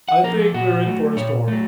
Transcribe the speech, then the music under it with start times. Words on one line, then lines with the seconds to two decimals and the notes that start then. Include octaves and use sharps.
"I think we're in for a storm."
0.09 F#5
0.24 F3 A#3 A#4
0.39 A4
0.54 A#2 F#4
0.86 F#3 A3
1.17 A#2 C#5
1.48 F#3 A3